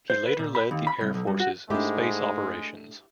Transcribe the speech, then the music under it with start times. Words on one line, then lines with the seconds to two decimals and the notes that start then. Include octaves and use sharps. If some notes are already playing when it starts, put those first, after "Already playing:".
He later led the Air Force's space operations.
0.10 C5
0.26 B4
0.39 A#2
0.55 B5
0.71 D#2
0.87 B5
1.01 C2
1.14 B1
1.27 G2
1.40 F#4
1.70 G#2 G#3 A3 D4 E4 G4 D#5